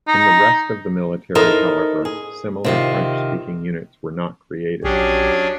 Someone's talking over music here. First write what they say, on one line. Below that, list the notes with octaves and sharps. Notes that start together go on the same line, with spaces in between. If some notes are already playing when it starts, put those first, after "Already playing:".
In the rest of the military, however, similar French-speaking units were not created.
D#4
D#4 E4 A4 A#4 C5 D#5
G#4
C3 D#3 F4
A#1 F#3 C#4 D4 G4 G#4